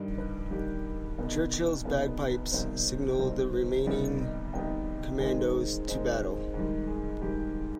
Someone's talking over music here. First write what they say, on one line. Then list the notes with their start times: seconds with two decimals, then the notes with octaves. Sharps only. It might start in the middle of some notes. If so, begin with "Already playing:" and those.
Churchill's bagpipes signalled the remaining Commandos to battle.
Already playing: G2 D#3 G3 D#5
0.18 B4
0.51 G2 D#3 G3 G4
1.18 C2 B2 B3 D#4
1.85 C2 B2 B3 D#4 G#4
2.08 B4
2.30 B4
2.52 C2 B2 G3 C4 D#4 C5
3.19 C2 B2 G3 C4 D#4
3.86 C2 C3 G3 B3 D#4 D5
4.20 D#5
4.53 C2 C3 G3 B3 D#4 G5
5.20 G#2 D#3 G#3 C4 D#4
5.87 G#2 D#3 G#3 C4 D#4
6.54 G#2 D#3 G3
6.87 G#4
7.21 G#2 D#3 G3 G4